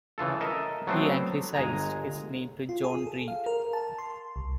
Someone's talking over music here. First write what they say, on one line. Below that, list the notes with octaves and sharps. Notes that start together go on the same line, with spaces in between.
He Anglicized his name to John Reed.
C#3 E3 F4 A4
A4 A#4 D#5 E5
F#3 A3 B3 C4 D4 C5
G1 G#3 G#5 A#5
F4
G#4
A4
F5
A#4
A5
C6
C2